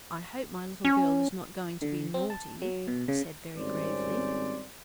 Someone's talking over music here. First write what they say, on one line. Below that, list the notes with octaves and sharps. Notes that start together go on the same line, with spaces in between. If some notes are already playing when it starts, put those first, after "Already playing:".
"I hope my little girl is not going to be naughty," he said, very gravely.
C#4
D3
C4
A5
F#3
B2
C#3
G#1 G3 C4 C#4 C5 D5